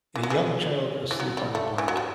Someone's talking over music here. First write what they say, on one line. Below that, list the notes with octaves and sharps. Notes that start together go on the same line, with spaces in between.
A young child asleep on a blanket.
E3
F#3
E3
E3
F#3
G3
A3
E3
F#3
G3